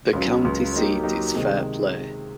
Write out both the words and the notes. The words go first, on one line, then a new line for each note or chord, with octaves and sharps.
The county seat is Fairplay.
C#2 C#3 F#3
C#2 C#3 F#3
F#3 A#3 D#4 G4
F#3 A#3 D#4 G4
C3 D#3 G#3